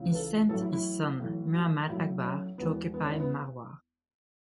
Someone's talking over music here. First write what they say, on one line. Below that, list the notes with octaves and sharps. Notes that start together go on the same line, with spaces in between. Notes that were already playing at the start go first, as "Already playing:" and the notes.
He sent his son, Muhammad Akbar, to occupy Marwar.
Already playing: C#2 C#3 E3
B4
A4
A1 A2 F#3 A4
E4
E4
B1 A2 E3
F#4
B1 A2 F#3 E4
C#4
E1 E2 E3 B3
B3
C#4
E4
B3